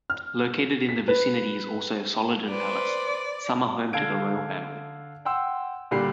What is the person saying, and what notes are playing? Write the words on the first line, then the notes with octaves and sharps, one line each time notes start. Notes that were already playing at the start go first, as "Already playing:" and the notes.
Located in the vicinity is also Solliden Palace, summer home to the royal family.
F6
B6
B4
B4 C5 D5
D3 A4 F5 G#6 D7
F#5 G5 C6 E6
A#2 D3 G3 B5 C7